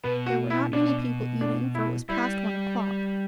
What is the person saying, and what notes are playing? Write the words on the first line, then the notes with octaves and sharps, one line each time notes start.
There were not many people eating, for it was past one o'clock.
B2 B3
F#4
E4
B2 D4
D4
E4
G3 E4